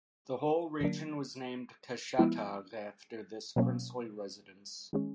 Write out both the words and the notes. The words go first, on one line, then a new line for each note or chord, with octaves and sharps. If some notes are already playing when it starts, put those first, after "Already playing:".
The whole region was named Kashatagh after this princely residence.
D3 F#3 A#3 D4
F3 G#3 B3 E4
B2 F#3 A#3 C#4
D#3 G#3 C#4